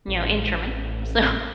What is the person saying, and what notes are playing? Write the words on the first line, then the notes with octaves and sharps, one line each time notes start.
you know, in German. So,
A1